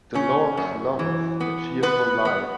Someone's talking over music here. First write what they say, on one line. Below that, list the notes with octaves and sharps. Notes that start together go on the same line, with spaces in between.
The Lord loveth a cheerful liar.
C#3 C#4
F#2
E3
B3
B3 B4
B3